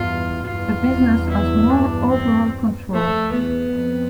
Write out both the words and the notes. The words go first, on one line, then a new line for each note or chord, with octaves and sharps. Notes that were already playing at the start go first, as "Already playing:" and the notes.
A business has more overall control.
Already playing: E2 G2 F4
E2 G2 F4
E4
D4
C4
F2 A3
E2 B3
F2